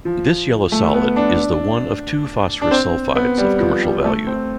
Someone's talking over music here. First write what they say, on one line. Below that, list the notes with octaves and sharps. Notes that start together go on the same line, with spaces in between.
This yellow solid is the one of two phosphorus sulfides of commercial value.
F3
A3
B3
D4
D4
C4
B3
G3
F3
G3
A3
C4